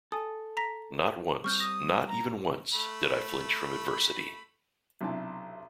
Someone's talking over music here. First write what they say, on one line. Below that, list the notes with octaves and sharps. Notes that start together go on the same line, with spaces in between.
Not once, not even once, did I flinch from adversity.
A4 G#5 D#6
A#5 A#6 B6
G3 C4 C#6 F6 G6
D#6 A#6
A#5
A3 B5
B1 C3 D4 E4 A5